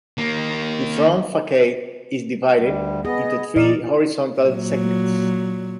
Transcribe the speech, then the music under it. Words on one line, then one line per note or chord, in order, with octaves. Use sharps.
The front facade is divided into three horizontal segments.
D#3 A#3
D2 G3
B3 G#4 D#5
A#2 A#4 D5 D#5
A#2 F#3